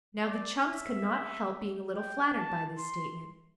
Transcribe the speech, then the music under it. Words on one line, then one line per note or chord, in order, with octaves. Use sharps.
Now, the chums could not help being a little flattered by this statement.
D5
E5
G5
A5
C6